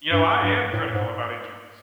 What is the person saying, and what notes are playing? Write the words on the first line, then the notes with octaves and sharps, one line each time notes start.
You know, I am critical about injuries
G2
G2
A2
G#2